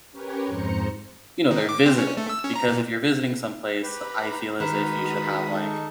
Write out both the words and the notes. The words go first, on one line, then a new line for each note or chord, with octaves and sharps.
you know, they're visiting. Because if you're visiting someplace, I feel as if you should have like
C#4 G4 A#4 B4 C#5
F2 G#2 C5 A#5 C#7
D#3
D6
C4
C#4
A3
E6
C#4
A#5
A#2
G4 B4 A#5 B5
D#3 G#3 F#4 B4 B5 D#6
G#3 D#4 A4 C#6